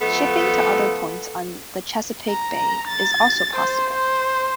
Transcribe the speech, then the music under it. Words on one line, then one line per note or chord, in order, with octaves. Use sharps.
Shipping to other points on the Chesapeake Bay is also possible.
F3 A3 B3 A4
A#5
A#5
A6
C5
C5